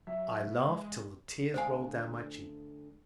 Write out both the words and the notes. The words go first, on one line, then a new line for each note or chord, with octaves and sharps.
I laughed till the tears rolled down my cheeks.
F#3 E5
B2
G#3
D2 G4 C5 F5 G#5